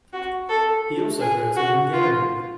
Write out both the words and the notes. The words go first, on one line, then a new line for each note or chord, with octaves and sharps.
He also wrote in Hungarian.
F#4
A4
G#4
F#4
F4